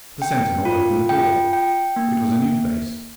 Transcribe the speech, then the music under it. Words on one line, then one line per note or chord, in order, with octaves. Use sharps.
The sentinel opened the door; it was a new face.
G5
F4
G5
G5
A#3